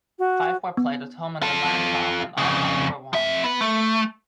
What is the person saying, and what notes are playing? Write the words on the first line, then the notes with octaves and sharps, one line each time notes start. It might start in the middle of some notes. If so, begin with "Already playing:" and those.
Five were played at home in the Landhof and all five were won.
F#4
B3
F4 A4
F2 C#3
F3 E5
B3
A3